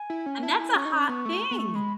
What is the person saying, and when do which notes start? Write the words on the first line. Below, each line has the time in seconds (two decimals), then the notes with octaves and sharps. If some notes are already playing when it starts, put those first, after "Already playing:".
and that's a hot thing!
Already playing: G#5
0.10 E4
0.26 C#4
0.43 E4 A5
0.59 E4 G#5
0.76 C#4 C#6
0.85 D#4
0.93 C#4
1.08 B3 C#6
1.25 A3
1.51 B3
1.58 A3
1.75 G#3 B5